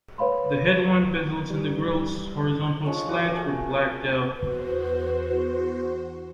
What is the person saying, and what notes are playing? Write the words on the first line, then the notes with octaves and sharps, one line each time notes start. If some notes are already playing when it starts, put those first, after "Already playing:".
The headlamp bezels and the grille's horizontal slats were blacked-out.
B4 C#5 F5 B5 C6
E3 G3
F3 G#3 C#5 C#6
D4 F#4 A#4
A3 G#4 A#4
E2 F#4 B4 C5